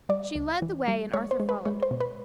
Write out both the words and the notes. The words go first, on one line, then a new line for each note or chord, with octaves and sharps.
She led the way and Arthur followed.
G3 D5
C#2
E3
G3
G#3 C#5
C5
G#3
B4
G#3 C#5
C5
B2
B4